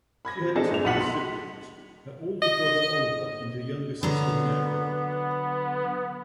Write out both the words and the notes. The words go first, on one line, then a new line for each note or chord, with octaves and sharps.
She had two other siblings: her older brother, Oliver, and her younger sister, Mary.
B5 G#6 A#6
F3
C4 D4 D#4 G#4 A4 A5
G1 F7
B1 B2 F#5 B6 F#7
C6
D#5
D3 F#3 B3 A#5